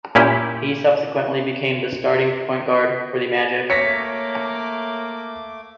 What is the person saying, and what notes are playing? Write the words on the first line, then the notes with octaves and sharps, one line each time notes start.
He subsequently became the starting point guard for the Magic.
A#2 C#4 E4 G4
A3 A#3 C#5 D6 A#6 B6 C#7